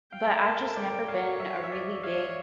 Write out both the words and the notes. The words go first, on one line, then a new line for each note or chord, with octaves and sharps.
But I've just never been a really big
F5 G5
A4
A#4 A5
D5 G5
C#5 F5
E5
F5
E5
D5
C#5 F5